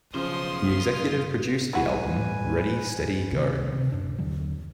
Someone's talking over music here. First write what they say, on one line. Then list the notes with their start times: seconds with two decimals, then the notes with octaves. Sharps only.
He executive produced the album Ready Steady Go!
0.14 B1 C#3 F3 C5 C6 D#6
0.78 F4
1.73 A2 G3 E4 F#4 B4 G#5
3.31 C#2 C3 D#3
3.72 C3
3.92 D1 F#2 D4
4.18 D#2 D3 F#3